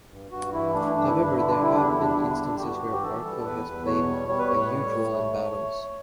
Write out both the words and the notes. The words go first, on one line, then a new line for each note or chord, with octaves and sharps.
However, there have been instances where Orko has played a huge role in battles.
G2
G2 F#4
E3 E4
A3 D4
G2 D4
E4
G2
D4
D3 E4
D4
G3 E4
E2 D4
E4
E2 D4
D3
G3
G4
G2 F#4
G2
G4
E3 A4
G3
E2 B4
E2
B2 C#5
G3
G3 C#5
B4
A2 C#5
G3
A2
A3